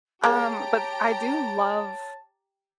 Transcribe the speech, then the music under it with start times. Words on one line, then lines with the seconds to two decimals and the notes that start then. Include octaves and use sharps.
Um, but I do love
0.24 G#3 A#3 G4 C#5 A5 A#5 D7